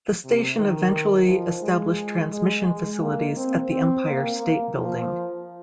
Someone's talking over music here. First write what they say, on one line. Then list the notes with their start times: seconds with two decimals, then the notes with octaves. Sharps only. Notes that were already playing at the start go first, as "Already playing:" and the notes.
The station eventually established transmission facilities at the Empire State Building.
0.24 C3
0.59 D#3
1.27 F3
1.62 G#3
2.32 G#3
2.66 G#3
3.01 A#3
3.36 C4
3.71 C4
4.06 A#3
4.40 A#3
4.75 F3